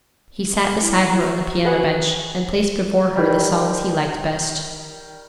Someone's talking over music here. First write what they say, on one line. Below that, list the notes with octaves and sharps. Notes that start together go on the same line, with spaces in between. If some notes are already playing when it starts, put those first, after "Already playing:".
He sat beside her on the piano-bench, and placed before her the songs he liked best.
E4
F#4
G#4 B4 F#5
D#3 G3